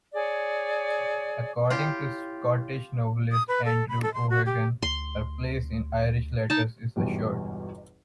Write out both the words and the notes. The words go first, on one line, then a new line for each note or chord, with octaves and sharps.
According to Scottish novelist Andrew O'Hagan, her place in Irish letters is assured.
G#4 C#5 D5
C#4 E4 F4 G4 G5
D#6
B4
A4
B5
A4
C6
F#4
G4
D2 C6
D#4 A5
G1 E2 G#2 B2 G3